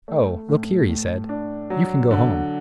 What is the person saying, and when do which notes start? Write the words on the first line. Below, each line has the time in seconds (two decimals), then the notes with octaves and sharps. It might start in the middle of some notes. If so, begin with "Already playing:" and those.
"Oh, look here," he said, "you can go home."
0.08 A3
0.49 A2
0.89 A2
1.29 D4
1.70 F#3
2.11 D3